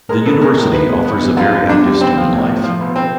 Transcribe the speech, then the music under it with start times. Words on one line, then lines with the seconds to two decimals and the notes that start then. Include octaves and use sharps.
The university offers a very active student life.
0.09 G#3 A#4
0.26 B3 A4
0.41 G#3 A#4
0.58 A2
0.73 B3 B4
0.89 G#3
1.05 B3
1.22 E3
1.37 F#2 F4
1.53 F#2
1.69 F#2 D4
1.85 G3
2.01 B1 C4
2.17 F3
2.33 A2
2.48 A2
2.64 F3
2.80 B1
2.96 C4